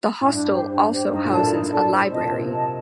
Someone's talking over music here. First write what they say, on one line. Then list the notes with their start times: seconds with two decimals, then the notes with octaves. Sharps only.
The hostel also houses a library.
0.21 A2
0.31 G2 D4
0.51 G4 C5
0.71 D4
0.91 G4 C5
1.11 G2 D#4
1.25 A#2
1.32 A2 A4 D5 A5
1.52 D#4
1.72 A4 D5 A5
1.91 C5
2.11 C3 D#5 A5
2.20 A#2
2.28 C3 C5
2.51 D#5 A5